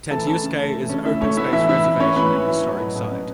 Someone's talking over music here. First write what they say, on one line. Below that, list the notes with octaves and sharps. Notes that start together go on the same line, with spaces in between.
Tantiusques is an open-space reservation and historic site.
E3 A4 A5
C#4 A4 A5
C#3
A3
E3
C#4
C#3 E4 E5
A3 C#4 C#5
B3 E4 E5
E3 E4 E5
E3 E4 E5
E4
B3 C#4 C#5
E3 B4 B5
E3
E4
F#3
B2
B2
C#4